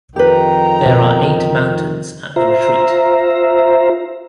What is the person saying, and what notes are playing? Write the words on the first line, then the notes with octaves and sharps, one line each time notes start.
There are eight mountains at the retreat.
F2 D#3 G4 B4 G5 A#5
B2
F4 C5 E5 A#5